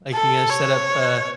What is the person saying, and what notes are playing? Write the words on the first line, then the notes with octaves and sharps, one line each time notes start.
Like you're gonna set up, uh,
A4
C#5